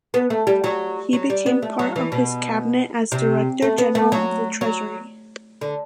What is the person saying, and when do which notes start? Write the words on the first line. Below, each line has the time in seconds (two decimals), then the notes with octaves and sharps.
He became part of his cabinet as director general of the treasury.
0.14 B3
0.30 A3
0.47 G3
0.64 F#3
1.13 F#3
1.30 G3
1.46 B3
1.62 A3
1.79 F#3
1.96 E3
2.12 B2
3.12 C3
3.62 A3
3.78 B3
3.95 A3
4.12 F#3
4.61 F#3
5.61 D3